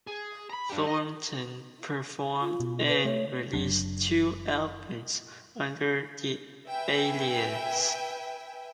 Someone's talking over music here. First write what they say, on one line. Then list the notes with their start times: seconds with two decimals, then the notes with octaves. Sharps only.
Thornton performed and released two albums under the alias.
0.07 G#4
0.50 A#5 B5
0.70 D4 G4
0.87 D#5
2.41 F4
2.60 B2
2.88 B4
3.05 A3 C#5
3.53 F#1 F#2 F#3 D4
6.67 B4 E5 G5 G#5